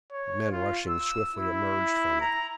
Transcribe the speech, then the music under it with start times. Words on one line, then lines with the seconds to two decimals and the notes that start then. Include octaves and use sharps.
Men rushing swiftly emerged from it.
0.12 C#5
0.52 F4
0.89 E6
1.33 E4
2.21 A#5